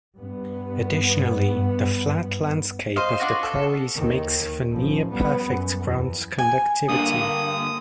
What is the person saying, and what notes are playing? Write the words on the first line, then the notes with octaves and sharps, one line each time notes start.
Additionally, the flat landscape of the prairies makes for near-perfect ground conductivity.
G2 B3
C5 D#5 F5
D4 F4 F#4
A4
D#2 D#3
A1 F3
G3 B3
F#2
E2
G#5
G2 D3 A#3 D#6